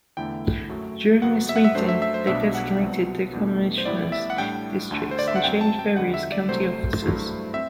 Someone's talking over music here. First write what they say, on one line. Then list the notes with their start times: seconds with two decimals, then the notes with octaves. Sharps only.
During this meeting, they designated the commissioners districts and changed various county officers.
0.17 E2 D3 A3 E4 G5
0.69 F#2 F#3 A3
1.22 G1 F#2 F#3 B3 F#5
1.49 E5
1.56 F#5
1.64 E5
1.75 F#2 F#3 A3 D4 C5
1.89 E5
2.02 E5
2.14 C5
2.27 B1 B2 G3 D4 E5
2.55 F#5
2.80 C2 B2 F#3 C4
3.33 E2 B2 A3 D4
3.78 C5
3.86 A1 A2 G3 B3 E4 D5
4.12 E5
4.30 F#5
4.38 A2 G3 D4 G5
4.91 D2 D3 A3
5.11 C5
5.19 D5
5.28 E5
5.36 F#5
5.44 F#2 F#3 C4 G5
5.61 A5
5.79 G5
5.96 E2 D3 G3 F#5
6.14 E5
6.32 D5
6.49 C2 C3 F#3 A3 C5
7.02 G2 F#3 A3 E4
7.54 C4 E5